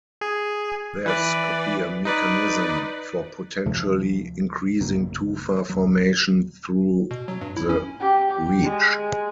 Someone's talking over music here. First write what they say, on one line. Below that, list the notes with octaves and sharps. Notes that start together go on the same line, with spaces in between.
This could be a mechanism for potentially increasing tufa formation through the reach.
G#4
E3 B4 D5
D#4 B4 D5
D2 C3 F3
A#1 F#2 C#3 A#3
D#1 F#3
B2
F#3
G2
E4
C#4
G4
G4
G#3